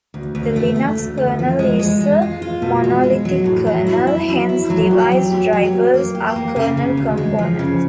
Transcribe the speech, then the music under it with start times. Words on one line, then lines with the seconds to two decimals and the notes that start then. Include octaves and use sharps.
The Linux kernel is a monolithic kernel, hence device drivers are kernel components.
0.14 D2
0.35 D2
0.56 A3
0.76 A3
0.97 D2
1.17 D2
1.39 F3
1.59 G#3
1.79 G#3
2.00 G#3
2.22 F4
2.42 F4
2.62 B2
2.84 G#3
3.04 G#3
3.25 F#3
3.46 A2
3.67 F#3
3.87 E4
4.07 E4
4.28 F#3
4.49 E4
4.70 F#3
4.91 G4
5.12 F#3
5.32 G4
5.53 F#3
5.73 A#3
5.94 A#3
6.15 G4
6.36 A#3
6.56 C#3
6.77 C#3
6.97 D2
7.17 G#3
7.38 F3
7.59 C#3